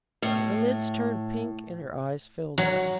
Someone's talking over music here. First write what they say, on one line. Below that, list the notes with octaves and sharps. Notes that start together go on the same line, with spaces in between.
Her lids turned pink and her eyes filled up.
A2
F#3